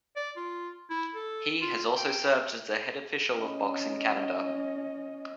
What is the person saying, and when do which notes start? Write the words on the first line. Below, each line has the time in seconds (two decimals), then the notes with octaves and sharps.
He has also served as the Head Official of Boxing Canada.
0.16 D5
0.37 F4
0.90 E4
1.15 A4
1.62 F4
1.97 G5
3.39 C#4 D#5